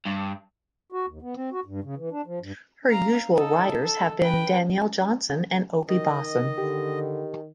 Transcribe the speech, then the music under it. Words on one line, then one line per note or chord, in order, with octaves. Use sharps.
Her usual riders have been Danielle Johnson and Opie Bosson.
G2
F#4
D#2
B3
C4
F#4
G2
C#3
E3
D4
F3
G2
F5 A#5
D#4 A4
A4
B4 G5
D#3 D#5
D3 G4